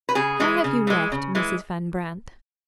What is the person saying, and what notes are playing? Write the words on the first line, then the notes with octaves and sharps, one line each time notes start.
"How have you left Mrs. Van Brandt?"
B4
C#3 G#4
E3 G#3
C#3
E3 G#3
C#3
E3 G#3